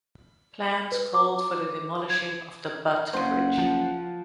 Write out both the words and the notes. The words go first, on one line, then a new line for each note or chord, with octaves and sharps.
Plans called for the demolishing of the Butt Bridge.
B4
D6
G#6
F#1 C#3 C5 F#5
F3